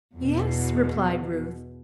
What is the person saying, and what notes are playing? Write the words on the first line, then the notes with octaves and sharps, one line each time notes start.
"Yes," replied Ruth.
E2 B2